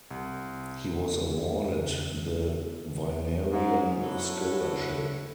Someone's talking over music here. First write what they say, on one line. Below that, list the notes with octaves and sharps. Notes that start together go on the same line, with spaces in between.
He was awarded the Vinerian Scholarship.
C2
G#2
D4 E4 F#4 A4 B4 C#5